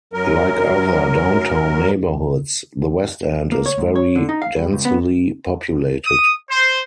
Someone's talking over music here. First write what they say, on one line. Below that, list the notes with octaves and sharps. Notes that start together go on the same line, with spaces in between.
Like other downtown neighbourhoods, the West End is very densely populated.
F#2 F#3 A#4
A#3
C#5
G#2
C#5
D3
D#4
F5
G2
C#2
B3
D#6
C5